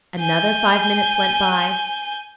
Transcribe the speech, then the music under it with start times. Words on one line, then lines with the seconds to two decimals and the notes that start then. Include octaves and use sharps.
Another five minutes went by.
0.20 G#5 G6